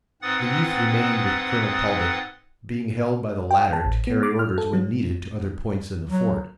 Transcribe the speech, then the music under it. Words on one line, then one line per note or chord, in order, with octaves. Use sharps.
The youth remained with Colonel Talbot, being held by the latter to carry orders when needed to other points in the fort.
G#2 C4 B4 F#5 D#6 A6
G5
A5
A1
B3
D6
F6
A4
F#3
F#3